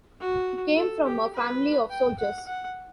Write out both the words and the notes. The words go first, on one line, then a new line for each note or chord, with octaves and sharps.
He came from a family of soldiers.
F#4
A4
G4
B4
G5
F#5
F#5